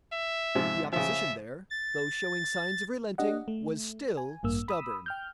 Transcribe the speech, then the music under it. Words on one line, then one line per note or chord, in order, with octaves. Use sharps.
The opposition there, though showing signs of relenting, was still stubborn.
E5
G#2 C3 F3
C#3 F3 E5
A6
D4 G4 D#5 F#5
A3
G#5
A1 G2 A#3 E6
B5 D#6 E6
G5 F6 G6